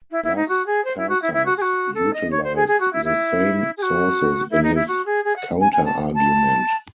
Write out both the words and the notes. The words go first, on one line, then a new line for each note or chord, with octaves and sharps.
Las Casas utilized the same sources in his counterargument.
E4
E4
D#4
F#4
G#4
C5
E4
F#4
E4
E4
F#4
G#4
F#4
A4
D#5
C#5
C5
G#4
G#4
F#4
E4
E4
G#4
F#4
E4
D#4
E4
F#4
G#4
G#4
F#5
G#5
G#5
A5
A5